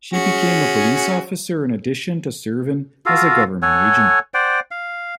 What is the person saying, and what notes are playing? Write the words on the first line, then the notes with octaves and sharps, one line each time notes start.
She became a police officer in addition to serving as a government agent.
C#4 F#4 G#4
F4 F#4 A4 F5
A4 C#5 F#5 G#5
C5 D5 F#5 G5
F5